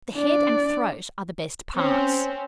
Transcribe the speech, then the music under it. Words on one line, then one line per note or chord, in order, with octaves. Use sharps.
The head and throat are the best parts.
D4 D5
C4 C#4